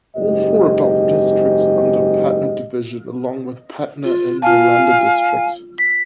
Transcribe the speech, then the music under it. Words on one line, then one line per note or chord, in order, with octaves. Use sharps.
All four above districts falls under Patna Division along with Patna and Nalanda District.
F#1 G#2 G4 D#5
F4
F4 F5 G#5 A5
B6